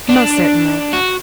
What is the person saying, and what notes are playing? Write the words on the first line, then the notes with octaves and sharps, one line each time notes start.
"Most certainly."
D4
F#4